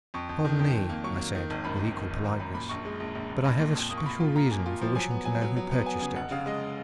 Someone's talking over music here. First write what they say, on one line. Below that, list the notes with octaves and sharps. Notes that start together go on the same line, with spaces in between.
"Pardon me," I said, with equal politeness, "but I have a special reason for wishing to know who purchased it."
F2 C#6
F2
D#3
F2
F2
A#3
F#3 C#6
A#3
D#3
G#1
F#2 B5
G#1
D#3
G#1
F#2 A#5
F#2 B5
A#2 B5
A#1 C#6
G#3
A#1
A#1
A#1
A#1 B5
A#2
F2
A#3 D#6
C#6
A#3 B5
F4
F4 A#5
A#3 G#5
F4
F3
F#3 G#5
B3
F#3 G#5
F#3
F#3
B3
B3 G#5
C#3 G#5
F1 F#5
C#3 F5
G#3 D#5